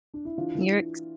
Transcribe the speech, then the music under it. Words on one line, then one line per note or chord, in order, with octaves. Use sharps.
You're ex
D4
E4
E3 D4 F4
E3